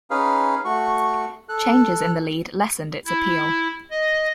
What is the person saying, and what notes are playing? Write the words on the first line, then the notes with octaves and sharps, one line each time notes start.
Changes in the lead lessened its appeal.
C#4 D#4 G#4 B4 F5
A3 F#4 C#6
A4 F#6
E4
D#5